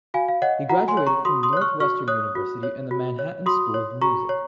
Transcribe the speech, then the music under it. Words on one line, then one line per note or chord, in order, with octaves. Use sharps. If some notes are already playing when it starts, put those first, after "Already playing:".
He graduated from Northwestern University and the Manhattan School of Music.
F#4 F5 G#5
F5
C#5 D#5 F#5
F#4 F#5 A#5
G#5 C6
C#5
A#5 C#6
F#4 C6 D#6
C6 D#6
C#5 F#6
C#6 F6
F#4 C#6 F6
C#5 D#6 F#6
F#4
C#5
F#4
C#5
F#4 C6 D#6
C#5
F#4 A#5 C#6
C#5